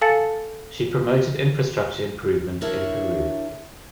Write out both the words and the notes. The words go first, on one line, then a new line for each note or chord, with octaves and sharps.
She promoted infrastructure improvement in Peru.
A4 F5 G#5 A5 A6 C#7
D4 E4 A#4 C#5